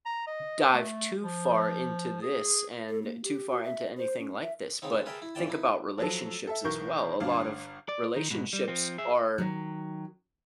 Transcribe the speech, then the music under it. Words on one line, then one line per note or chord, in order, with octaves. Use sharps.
dive too far into this and too far into anything like this but, think about relationships as well. A lot of relationships are
A#5
D#5
A3
F3
G#4
A4
A#3
G4
F#4
E5
C5
C#4
E5
C#3 B3 C4 D#4
G#4 A#4 B4 E5 G5 A5
E4
F2 E3 D5 G5 A5
D#4 E4
F3 F#3 A4
A4 E5
B1 E3 A#4 C#6 G6
G1 D4 F5
D5
D#3
G#2 B2
G3
F3 C4
G#4 E5
D#3 F#3